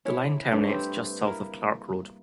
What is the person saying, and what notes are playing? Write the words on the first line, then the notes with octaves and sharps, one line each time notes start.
The line terminates just south of Clark Road.
C#4 E4 C#5
G2 C#3 A3
C4 G4 B4 C5
A#3 E4 A#4